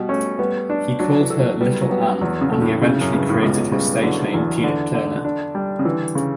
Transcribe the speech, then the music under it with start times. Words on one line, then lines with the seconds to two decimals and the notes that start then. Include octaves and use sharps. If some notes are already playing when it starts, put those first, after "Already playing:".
He called her "Little Ann" and he eventually created her stage name Tina Turner.
Already playing: B2 G3
0.09 A3 C#4
0.39 G3 B3
0.70 D4
0.99 F#3 D4
1.20 E3
1.30 A4
1.40 F#3
1.61 G3 B3
1.81 F#3
1.90 G3 B3
2.21 E2 F#3
2.41 C#3
2.51 A3
2.62 A2
2.82 C#3
3.01 F#2
3.13 G2 C#3
3.29 A2
3.42 C#2 B2
3.72 C#3 G3
3.92 E3
4.03 D3 F#3
4.33 E2 E3
4.64 D3
4.94 D3
5.24 D4
5.55 G3
5.79 C#3
5.85 D3 E3
6.15 C#3